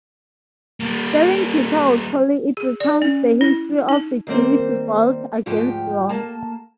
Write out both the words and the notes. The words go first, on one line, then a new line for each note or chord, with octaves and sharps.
Starring Peter O'Toole, it recounts the history of the Jewish revolt against Rome.
G3 A#3
G#4
D5
C#4
E4
D#4
D#3 G3 A#3 C4 C5
D2 G#2 F3 G4 G5
A#3 A5